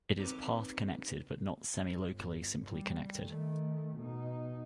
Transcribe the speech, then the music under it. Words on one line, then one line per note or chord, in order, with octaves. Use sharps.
It is path connected but not semilocally simply connected.
C4 D#4 G4 A#4 B4 C#5
G1
G3
D#3 A3
B2 D#4